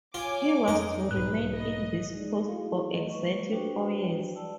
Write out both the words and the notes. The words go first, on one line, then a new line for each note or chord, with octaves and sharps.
He was to remain in this post for exactly four years.
F4 C#5 G#5 D6
F2 D#4
B1 G#2 B4 F#6
D#5
G#3 D#4 G#4 D5
A3 E4 F#4 G#4 F5
A3 D#5
G#3 A#3 B4 C#6
D4 F#4 G4 B4 C5 G5
D5 A5 E6